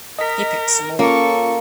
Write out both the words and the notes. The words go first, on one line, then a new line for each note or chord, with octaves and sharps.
He picked some more.
A#4 D#5 B6
A#3 C#4 F4 A4 C#6